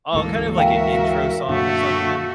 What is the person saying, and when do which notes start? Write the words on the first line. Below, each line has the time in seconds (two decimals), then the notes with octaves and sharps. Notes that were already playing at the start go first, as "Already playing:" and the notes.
Oh, kind of like an intro song or something?
0.15 D2 G#2 E3 A#3 A4
0.58 F#4 A#4 E5 F5 G5
1.49 F#2 A#2 D3 A3 F#4 E5